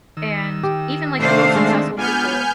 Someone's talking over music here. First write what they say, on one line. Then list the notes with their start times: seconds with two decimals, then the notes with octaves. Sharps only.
and even like the most successful people,
0.17 D#3 E6
0.63 G4
1.18 C3 A3 D4 C5 F5
1.55 G#3
1.98 B3 D4 F4 G#5 F6 G6